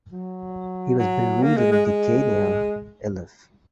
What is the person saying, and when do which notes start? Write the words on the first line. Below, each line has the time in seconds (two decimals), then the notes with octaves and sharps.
He was buried in Degania Alef.
0.12 F#3
0.99 F#3
1.43 A#3
1.57 G#3
1.72 G#3
1.86 G#3